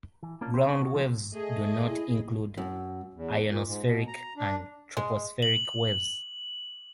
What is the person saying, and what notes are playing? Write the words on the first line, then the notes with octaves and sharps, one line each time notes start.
Ground waves "do not" include ionospheric and tropospheric waves.
E3
A#3 C#4 D4 F4
A#3 C#4 G4 B4 C5
B3 C4 D4 C#5
B2 F#4
D#3 F3 G#3 A3
A3 G#4 D#5
E4
F#2
E2
A#2
G#2
B2
A#5
D4
G#3
F#7